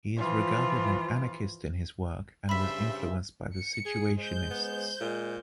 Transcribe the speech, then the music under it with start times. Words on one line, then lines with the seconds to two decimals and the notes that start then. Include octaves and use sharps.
He is regarded an anarchist in his work and was influenced by the Situationists.
0.16 E3 F3 F4
2.49 G2 C#3 G3 C5 E5 B5 B6
3.54 C#7
3.86 G#4
4.17 G#3 C5 G6
4.51 B3
5.01 A#2 G#3